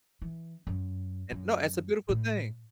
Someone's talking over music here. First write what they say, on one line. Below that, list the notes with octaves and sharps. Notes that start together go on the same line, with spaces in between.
Eh, no, it's a beautiful thing,
E3
F#2
F#2
A2